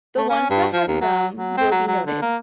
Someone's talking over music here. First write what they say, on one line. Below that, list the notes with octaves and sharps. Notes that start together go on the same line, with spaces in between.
The ones that have them will be noted.
A3
C#4
G2
F3
D#2
F#3
F#3
C4
F#3
F#3
D3
A#3